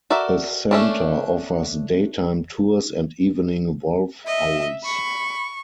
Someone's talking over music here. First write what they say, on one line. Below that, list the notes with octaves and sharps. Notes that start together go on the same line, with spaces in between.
The Center offers daytime tours and evening wolf howls.
F#4 A4 A#4 D5 E5
A3 C#4 D4
D#5 E5
B5 C#6